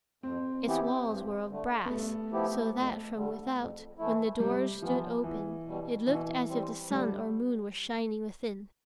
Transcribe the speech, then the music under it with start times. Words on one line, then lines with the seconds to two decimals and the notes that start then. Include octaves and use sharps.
Its walls were of brass, so that from without, when the doors stood open, it looked as if the sun or moon were shining within.
0.23 F2 C4
0.65 E3 B3 E4 G4
1.07 G2
1.48 D3 A3
1.86 B3
1.90 G2 A3
2.32 F3 B3 E4 G4
2.74 F2
3.16 D3 G3
3.56 F2
3.99 E3 A3 E4
4.40 C3 G3
4.82 E3 F3 B3
5.24 E2 E3
5.65 B2 G3
6.07 B2 E3
6.49 G3 C4
6.90 D3 G3